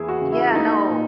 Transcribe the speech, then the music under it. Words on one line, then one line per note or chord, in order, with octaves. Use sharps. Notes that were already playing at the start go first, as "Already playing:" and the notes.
yeah, no.
Already playing: E2 E3 A#3 E4 G#4
F#4
C#3
E4
E4
A#3 D#4
A#2